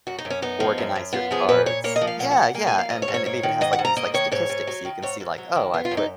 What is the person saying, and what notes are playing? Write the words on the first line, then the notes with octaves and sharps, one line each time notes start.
organize your cards Yeah, yeah and and it even has, like, these, like, statistics so you can see, like, "Oh, I've put
F#2 F#4
D#4
F#2
C#4
B3 D#4
F3
F#2
F#2
B3 F4
F3 G#4
A#2 B4
A#2 C#5
A#3 C#5
D#5
F3
F5
A#2 F#5
F#5
A#2
F#5
A#3 G#5
G#5
F3
F5
G#2 D#5
C#5
G#2
C#5
A#3 C#5
D#3
G#2 D#5
F#5
G#2
A#5
A#3 D#5
D#3 C#5
G#2 C#5
G#2
F#3
D#3
G#2 C#5
G#2
F#3
D#3
B3 F4
F4
F#2
D#4